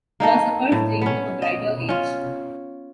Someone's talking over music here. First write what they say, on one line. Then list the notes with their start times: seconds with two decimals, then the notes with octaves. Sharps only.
Philosophers dreamed of a brighter age.
0.20 A#3 D#4 A4 D#5
0.72 A2
1.02 B3 C#4
1.42 D#5
1.89 C#4 F4